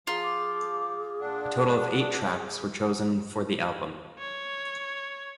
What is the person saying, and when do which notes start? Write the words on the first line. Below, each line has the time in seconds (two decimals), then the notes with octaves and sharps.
A total of eight tracks were chosen for the album.
0.07 F3 F4 G#4 A#5
0.23 D6
1.20 A#2 D4 F#5
4.18 C#5